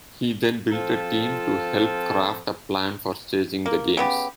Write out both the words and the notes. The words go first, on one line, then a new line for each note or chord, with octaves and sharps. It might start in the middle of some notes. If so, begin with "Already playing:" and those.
He then built a team to help craft a plan for staging the Games.
F3 C4 F4 A4 A5
A#3
C#3 B3 G4